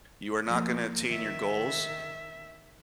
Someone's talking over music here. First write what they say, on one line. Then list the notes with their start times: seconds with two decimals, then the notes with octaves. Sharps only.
you are not gonna attain your goals.
0.45 F3 A#3
1.08 D#3 E5